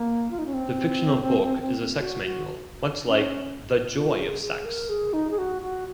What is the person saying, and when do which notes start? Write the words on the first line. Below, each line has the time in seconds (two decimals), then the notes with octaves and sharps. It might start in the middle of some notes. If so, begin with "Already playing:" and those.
The fictional book is a sex manual, much like "The Joy of Sex".
Already playing: A#3
0.31 F4
0.39 D#4
0.46 C#4
0.54 C4
1.99 F#4
2.24 F#4
3.07 C#4
3.93 F4
4.17 G#4
4.41 G#4
4.65 A#4
4.89 G#4
5.13 D#4
5.31 G#4
5.38 F#4
5.62 F#4